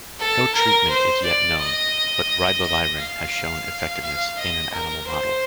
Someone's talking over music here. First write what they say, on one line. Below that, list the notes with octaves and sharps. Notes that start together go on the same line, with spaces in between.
No treatment is yet known, but ribavirin has shown effectiveness in an animal model.
A4
A#4
C5
D5
D#5
D#5
F5
F5
D#5
A#4
C5